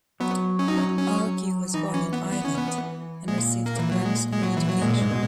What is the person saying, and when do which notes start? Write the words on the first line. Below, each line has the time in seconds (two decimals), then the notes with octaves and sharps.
Argue was born in Ireland, and received a grammar school education.
0.20 F#3 B3
0.59 C#4
0.68 D#4
0.77 C#4
0.98 C#4
1.74 E3 D#4
1.94 C#4
2.13 B3
2.31 B3
2.45 C#4
2.58 B3
3.28 A#2 G#3
3.66 A#3
3.79 E3
3.92 F#3
4.05 G#3
4.32 G#3
4.43 F#3
4.57 E3
4.69 F#3
4.81 A#2 G#3
5.01 G#2
5.11 B2